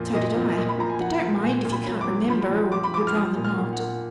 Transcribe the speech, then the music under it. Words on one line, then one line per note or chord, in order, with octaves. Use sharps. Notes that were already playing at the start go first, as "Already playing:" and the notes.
So did I; but don't mind, if you can't remember, or would rather not.'
Already playing: F#2 A#2 F3
A#2 D#5
F3
A#2 D#5
B5
F3 A#5
G#5
F3 F#5
F3
A#2 G#5
A#2
B5
F#3
D6
F#3
F3 B5
F3
F3 D6
B5
F3 D6
F6
F3 D#6
A#2
F6
A#2
F#5
A#2